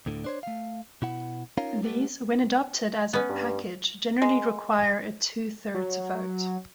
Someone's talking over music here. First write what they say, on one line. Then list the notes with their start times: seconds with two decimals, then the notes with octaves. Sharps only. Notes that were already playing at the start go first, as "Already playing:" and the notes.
These, when adopted as a "package" generally require a two-thirds vote.
0.06 D2 A2 D3
0.24 D4 C5 C#5
0.43 A3 F5
1.02 B2 E4 F#5
1.58 C#4 D#4 F4 A#4 C#5 F5
1.82 G3 A3 B3 G4
3.13 B3 C#4
3.29 G2
4.22 G#3
5.75 F#3